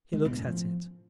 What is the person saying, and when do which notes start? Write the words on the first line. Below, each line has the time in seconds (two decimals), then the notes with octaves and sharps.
He looked at it.
0.13 D3 G#3
0.25 B2
0.31 A2
0.37 F#2
0.48 F3